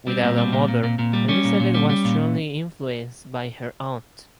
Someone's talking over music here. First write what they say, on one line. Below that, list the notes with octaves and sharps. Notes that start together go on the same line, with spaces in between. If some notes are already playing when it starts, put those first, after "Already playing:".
Without a mother, Elizabeth was strongly influenced by her aunt.
G3 C4
A#2
G3
A#2
A#2
A#2
A#2
G3
G3 C#4
A#2
A#2
G3
G3
A#2